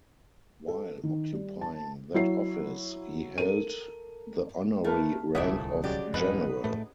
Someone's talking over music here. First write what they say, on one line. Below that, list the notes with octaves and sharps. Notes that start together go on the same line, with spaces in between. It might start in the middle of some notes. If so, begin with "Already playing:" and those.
While occupying that office, he held the honorary rank of general.
A4
D#3
G3
A5
F#3 E4 C#5 C7
A4 A#4 D#7
A3 A#3 A#4 B4
D1 C2 A#2 E3 A3 E5 F#5 D#6
C#3 F#3 G#3 G4 D5
E1 F2 G#2 D#4 B4 B5
A2 A3